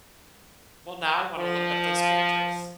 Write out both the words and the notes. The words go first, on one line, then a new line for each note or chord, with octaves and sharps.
Well, now I wanna look up those pictures.
F3